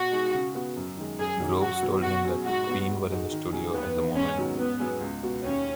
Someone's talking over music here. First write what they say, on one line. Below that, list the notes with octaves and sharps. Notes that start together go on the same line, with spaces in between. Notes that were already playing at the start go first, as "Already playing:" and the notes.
Groves told him that Queen were in the studio at the moment.
Already playing: B2 F#4
G#3 D#4 G#4
C#3
B3 F#4
F#2
D#3 G#3
F#2 G#4
D#3 F#3 C#4
F#2 F#4
D#3 F#3 B3
B2 F#4
F#3 C#4 G#4
G#2 F#4
F#3 B3
G#2
G#3 D#4 F#4
D#3
F#3 C#4 G#4
D#2 B3
D#3 B3
G#2 C#4
D#3 F#3 B3 F#4
G#2 B3
F#3 C#4 G#4
C#2
B2 B3 F#4
D#2 C#4